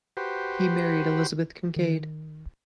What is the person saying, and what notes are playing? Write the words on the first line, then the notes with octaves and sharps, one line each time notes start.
He married Elizabeth Kincaid.
F#4 G4 B4 C5
D#3